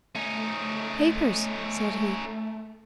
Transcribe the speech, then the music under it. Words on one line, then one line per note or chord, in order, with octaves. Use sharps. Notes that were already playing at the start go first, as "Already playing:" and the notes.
"Papers!" said he.
A3 C#4 D#4